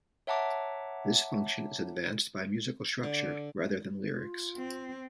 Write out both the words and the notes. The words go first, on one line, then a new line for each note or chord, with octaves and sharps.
This function is advanced by musical structure, rather than lyrics.
C#5 E5 F#5 A5 A#5 D6
D3
F4
C4